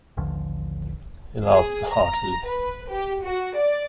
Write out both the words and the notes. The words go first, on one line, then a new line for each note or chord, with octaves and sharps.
He laughed heartily.
A1 D#2 D3 F3
G#4
A#5
B4
G4
F#4
D5